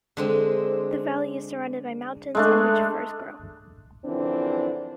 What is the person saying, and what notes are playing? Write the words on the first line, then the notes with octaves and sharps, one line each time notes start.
The valley is surrounded by mountains, on which firs grow.
D3 G#3 C4
G#3 A3 D4
F#2 D3 E3 F3 C4 D4